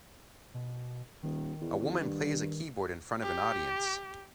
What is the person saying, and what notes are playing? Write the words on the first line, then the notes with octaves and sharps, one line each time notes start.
A woman plays a keyboard in front of an audience.
B2
D#1 D#3
E2
G2
G4